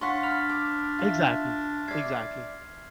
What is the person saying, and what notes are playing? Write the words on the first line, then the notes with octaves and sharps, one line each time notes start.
Exactly, exactly.
D4 C#5 F5 F#5 C6 C#6 B6
B5 F6 F7
D6
F4 E5
D5 E5 G#6 C7